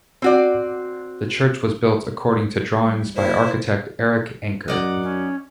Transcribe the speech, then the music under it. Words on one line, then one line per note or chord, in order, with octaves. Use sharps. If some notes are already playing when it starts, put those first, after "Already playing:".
The church was built according to drawings by architect Erik Anker.
C4 F#4 D5
G3
A#3 E4 C5
F#2 D#4 D5 F#5
C#4